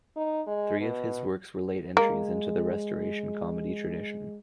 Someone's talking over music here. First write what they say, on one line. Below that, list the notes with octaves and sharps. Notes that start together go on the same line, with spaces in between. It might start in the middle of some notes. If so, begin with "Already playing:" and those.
Three of his works were late entries into the Restoration Comedy tradition.
D#4
G#3
B2
G#3 A#3